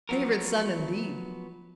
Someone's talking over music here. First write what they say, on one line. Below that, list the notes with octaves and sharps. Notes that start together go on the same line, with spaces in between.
Favorite son, indeed!
F3 F#3 B3 A#4